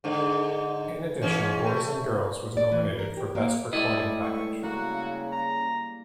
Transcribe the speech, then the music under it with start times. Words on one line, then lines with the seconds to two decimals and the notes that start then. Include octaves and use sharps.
In addition, "Boys and Girls" was nominated for Best Recording Package.
0.04 G#2 D3
1.22 G#2 E3 C#4
1.66 A3
2.57 D5
2.72 E3
2.99 A#4
3.17 G4
3.35 A#3
3.73 A2 G3 G#3 E4 D5 D#5
4.23 C#6
4.63 C#3 A#3 F#4
5.32 A#5